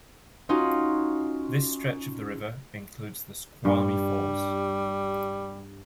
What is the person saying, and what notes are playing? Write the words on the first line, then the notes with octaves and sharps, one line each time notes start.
This stretch of the river includes Snoqualmie Falls.
C#4 D#4 F4 F#4
G2 G3